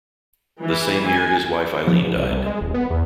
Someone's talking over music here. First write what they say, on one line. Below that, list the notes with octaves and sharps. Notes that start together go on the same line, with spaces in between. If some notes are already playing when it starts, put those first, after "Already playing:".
The same year his wife Eileen died.
E3
G#5
F3
E2
C2
C2
G#3
D#1
B3
E2